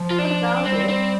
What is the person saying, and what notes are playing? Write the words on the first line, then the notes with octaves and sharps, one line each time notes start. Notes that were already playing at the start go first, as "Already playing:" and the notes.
"What about it?"
Already playing: F3
F4
D4
G3 C4
C4